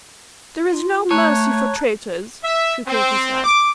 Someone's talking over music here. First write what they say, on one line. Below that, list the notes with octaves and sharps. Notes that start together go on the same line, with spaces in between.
"There is no mercy for traitors!" she coldly said.
F4
A3 C#5 A5 A#5 F#6
E5
C4
D6